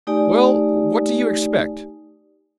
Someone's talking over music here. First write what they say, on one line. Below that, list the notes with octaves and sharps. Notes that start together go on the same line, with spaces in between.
'Well, what do you expect?
A3 D#4 G4 D5 G#5